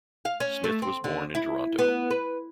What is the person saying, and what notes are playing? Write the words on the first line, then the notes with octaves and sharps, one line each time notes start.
Smith was born in Toronto.
F5
C#4
A3
C4
D3
E4
B3
B4